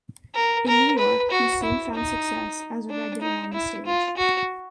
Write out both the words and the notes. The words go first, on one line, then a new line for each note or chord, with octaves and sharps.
In New York he soon found success as a regular on the stage.
A#4
A#4
B4
F#4
E4
D#4
D4
D#4
E4
F4
F#4